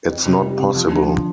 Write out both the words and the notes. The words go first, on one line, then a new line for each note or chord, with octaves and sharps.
It's not possible.
F2
C3
G3
C3
F3
D3
F3